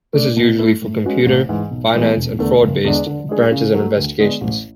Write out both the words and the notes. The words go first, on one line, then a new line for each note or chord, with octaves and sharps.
This is usually for computer, finance and fraud based branches and investigations.
A3 D4
B2
A3 E4 A4
A2
G#3 C#4 F#4 B4
A1
G#2 E3
B1
A2 E3 G#3 B3
E1
E2 D3 A3
F#1
E2 D3 G#3 D4
D3
G#3 D4 G#4
C#3
F#3 A3
D2
D3 G#3 B3 D4
A1